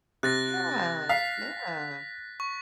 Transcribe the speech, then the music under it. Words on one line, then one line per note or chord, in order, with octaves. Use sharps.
Yeah, yeah.
C3 F#6 A6 A#6
F5 B6
C#6